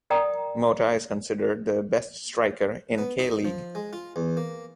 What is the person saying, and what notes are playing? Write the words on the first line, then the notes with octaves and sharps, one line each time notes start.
Mota is considered the best striker in K-League.
A#4 D5 G5 A#5 D#6
B3
D#4
F3
G#3
F4
E2
A#3